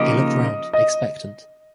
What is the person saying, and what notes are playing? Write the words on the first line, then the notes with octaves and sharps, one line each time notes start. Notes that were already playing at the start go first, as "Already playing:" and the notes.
He looked round, expectant.
Already playing: C#3 F3 A#3 D#4 G4 D#5
D#5